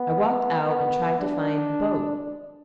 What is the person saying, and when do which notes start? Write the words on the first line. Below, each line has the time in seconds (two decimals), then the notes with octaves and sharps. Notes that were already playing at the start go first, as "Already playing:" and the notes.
I walked out and tried to find the boat.
Already playing: B3
0.63 B3
1.20 D4